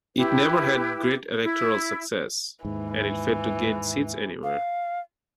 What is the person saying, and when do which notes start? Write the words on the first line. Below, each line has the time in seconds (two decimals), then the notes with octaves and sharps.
It never had great electoral success, and it failed to gain seats anywhere.
0.16 E4 G4 B4
1.43 E4
2.65 D#2 G#2 E3
4.44 F5